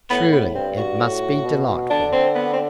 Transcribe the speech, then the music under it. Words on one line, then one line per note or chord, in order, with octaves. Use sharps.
Truly it must be delightful.
A2 B3
B3
G2 C4
F#4
A2
B2
D3 D4
C4
B3
C4